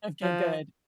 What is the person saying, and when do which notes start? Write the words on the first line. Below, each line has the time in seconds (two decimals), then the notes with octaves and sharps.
Okay, good.
0.23 F3